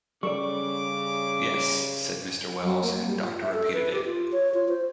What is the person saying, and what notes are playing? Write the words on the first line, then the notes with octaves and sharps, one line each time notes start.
"Yes," said Mr. Wells, and the doctor repeated it.
C#3 G3 A4 D5 C#6 D6
F#3
A#3
G3
F4
E5
A4
B4
G4
F4
C#5
F4
C5